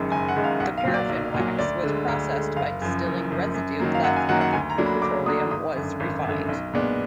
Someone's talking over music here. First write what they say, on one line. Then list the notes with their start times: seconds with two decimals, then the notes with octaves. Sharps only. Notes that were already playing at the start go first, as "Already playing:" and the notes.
The Paraffin wax was processed by distilling residue left after crude petroleum was refined.
Already playing: F#1 F#2 D#3 G#3
0.11 F#1 G#5
0.28 F#5
0.36 F#2 D#3 G#3
0.44 F5
0.60 B1 F#5
0.77 F5
0.85 A#2 F#3
0.94 D5
1.09 B1
1.34 A#2 F#3
1.59 D2 D5
1.83 D3 G#3
2.08 D2
2.33 D3 G#3
2.56 F#1 F5
2.82 F#2 F3
3.05 F#1
3.31 F#2 F3
3.54 F#2
3.79 D#3 F#3 A#3
3.95 F5
4.03 F#2 F#5
4.16 G#5
4.29 D#3 F#3 A#3 F#5
4.41 F#5
4.53 D2 G#5
4.70 A#5
4.78 D3 F#3 A#3 D4
4.86 B5
5.01 D2 D6
5.26 D3 F#3 A#3 D4 D#6
5.51 G#1 D#6
5.76 F#2 D3
6.00 G#1
6.24 F#2 D3
6.49 B1
6.73 A#2 G#3 B3 D4